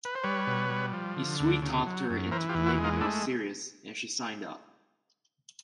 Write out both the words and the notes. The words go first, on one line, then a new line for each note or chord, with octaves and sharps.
He sweet-talked her into believing he was serious, and she signed up.
B4
C5
G3 B4 C#5
B2
G3
F3
D3
D2
C#3
F#3
F#2
E3 A#4 C5
F4 G4
E2
E4 F#4
G#3
D#4 F4
A3 D4 E4